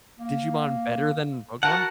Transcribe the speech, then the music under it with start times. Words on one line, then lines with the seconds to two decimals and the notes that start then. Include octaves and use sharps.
Digimon better than Pokémon?
0.19 A#3
1.63 F#4 A#4 F#5 A5